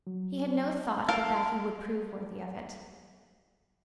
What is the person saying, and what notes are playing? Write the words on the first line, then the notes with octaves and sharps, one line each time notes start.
He had no thought but that he would prove worthy of it.
F#3
A4 A#4 F5